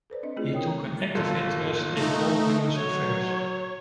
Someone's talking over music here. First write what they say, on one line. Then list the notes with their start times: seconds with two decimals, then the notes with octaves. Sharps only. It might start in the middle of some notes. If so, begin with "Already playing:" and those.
He took an active interest in all Jewish affairs.
0.10 A4 B4 C5 D5
0.23 C4 D4 D#5
0.37 A3 C4 E4 F4 G#4 A4
0.52 A#4 C#5 G5 D#6
0.68 A#5
1.15 G1 A#2 A4
1.97 A3 D#4
2.75 F#3 C#5